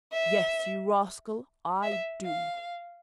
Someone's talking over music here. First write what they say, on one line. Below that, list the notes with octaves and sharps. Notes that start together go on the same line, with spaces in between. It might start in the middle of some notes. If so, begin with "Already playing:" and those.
"Yes, you rascal, I do."
E5
E5
F5